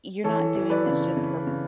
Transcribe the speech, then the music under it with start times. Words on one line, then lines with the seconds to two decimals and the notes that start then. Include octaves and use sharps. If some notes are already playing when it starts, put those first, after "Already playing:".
"You're not doing this just for
0.24 E3 A4 C#5
0.55 E3
0.70 B4 D5
0.86 C#3
1.17 C#3
1.47 C#3